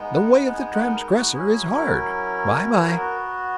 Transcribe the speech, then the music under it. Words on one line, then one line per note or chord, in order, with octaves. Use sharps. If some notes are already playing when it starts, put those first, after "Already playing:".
The way of the transgressor is hard. By-by!
Already playing: G#3 B3 D#4
F#5
F#5
F#5
G#5
F#5
A#4
F#4
F#3 C#4 E4 G#4
A#4
B3 F#4